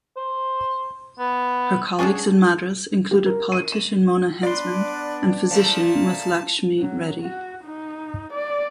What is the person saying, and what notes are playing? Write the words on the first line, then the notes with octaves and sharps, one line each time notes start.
Her colleagues in Madras included politician Mona Hensman and physician Muthulakshmi Reddy.
C5
B3
C#4 D4 G#4 F#5 A5
G4
A#4
D#7
E7
B3 D4 B4 D5 C6
F3 A3 A#3 A5
F#3
F#4
D#4
D5